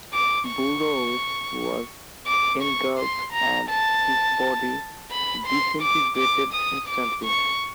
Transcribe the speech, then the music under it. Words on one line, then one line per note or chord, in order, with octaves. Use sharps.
Burroughs was engulfed and his body disintegrated instantly.
D6
C#6
D6
C#6
C6
A#5
A5
B5
C6
D6
D6
D#6
D6
C#6